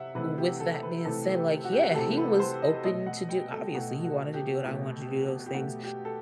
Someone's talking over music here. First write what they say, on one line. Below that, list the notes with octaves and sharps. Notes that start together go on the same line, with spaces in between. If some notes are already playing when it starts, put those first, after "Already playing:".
with that being said, like, yeah, he was open to do obviously he wanted to do what I wanted to do those things,
Already playing: C3 E5 F#5
C3 E3 A3 B4
G4
A4
B4
C3 E3 A3 A4
G4
F#4
G4
F#4
C3 E3 A3 A4
B4
C5
D#5
B2 A3 D#5
F#5
G5
A4
B2 A3 F#4
F#4
G4
B2 A3
G4
B2 A3 F#4
G4
A4